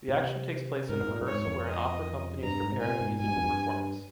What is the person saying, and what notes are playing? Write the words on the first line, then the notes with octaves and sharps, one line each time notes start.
The action takes place in a rehearsal where an opera company is preparing a musical performance.
A#2
C3
G#2 A#4
G#2
A#2
G2
G#2 C#5
F2
D#5
G2 A#5
G#2
C3
A#2 G#5
G#2
G#2 G#5
G2
F2
G2